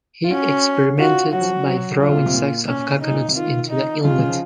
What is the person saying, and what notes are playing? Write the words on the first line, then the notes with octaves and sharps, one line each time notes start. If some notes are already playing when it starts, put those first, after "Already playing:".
He experimented by throwing sacks of coconuts into the inlet.
F4
C#4 F#4
F4 F#4
F#3 F#4
F3
F#3
F#3
F#3 F4
C3
A#2
C3
A#2
C#4
D#4
A#2
C3
D#3 F4
D#4
C#3 F4
C3
C#3
F3